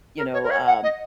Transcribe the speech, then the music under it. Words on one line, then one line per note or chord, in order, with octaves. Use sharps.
you know, um,
A#4
C#5
A#4
C#5
F#5
D#5